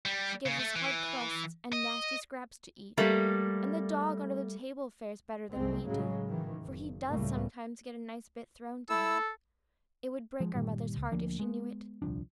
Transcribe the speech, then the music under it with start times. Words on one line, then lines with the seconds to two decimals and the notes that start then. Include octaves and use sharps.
She gives us hard crusts and nasty scraps to eat, and the dog under the table fares better than we do, for he does sometimes get a nice bit thrown to him. It would break our mother's heart if she knew it!
0.05 G3
0.46 C#3
0.59 A3
0.76 E3
1.73 D#5
2.97 G3 A3 A#3
5.52 C2 F#2 G#3 C4
5.88 A2 C#3 F#3 G#3
6.26 D#3 E3
6.62 F#1
7.08 C#2 A2 C#3 G3 A3 A#3
8.90 E4 A4 E6
10.40 F3 G#3
10.55 G1 A#2 D#3 G3
10.97 C#2
11.12 D2 F3 A#3 D4
11.39 G#3 B3
12.02 D#1 C2 F3 D4